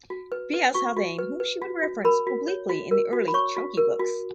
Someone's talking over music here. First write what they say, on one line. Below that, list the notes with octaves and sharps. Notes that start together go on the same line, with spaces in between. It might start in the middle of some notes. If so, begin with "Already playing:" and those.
B. S. Haldane whom she would reference obliquely in the early "Chunky" books.
F#4
B4
B4
F#4 C#6
F#4
B4
B4
F#4
F#4
A#4 B5
F#4
C#5
F#4
A#4
F#4
B5
C#5 C#6
F#4
A#4
F#4